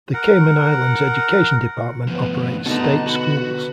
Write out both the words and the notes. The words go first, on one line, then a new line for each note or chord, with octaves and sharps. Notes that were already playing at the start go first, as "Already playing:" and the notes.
The Cayman Islands Education Department operates state schools.
A#4 F#5
D2 F3 B3
B2 D3 G3 B3 D#4 F#5 A5
F#4 B4